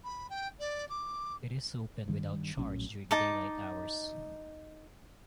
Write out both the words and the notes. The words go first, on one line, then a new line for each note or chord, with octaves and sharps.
It is open without charge during daylight hours.
B5
G5
D5
D6
G2 D#3 G3
A#1 A2 F#3 C#4
D#4 A5 D6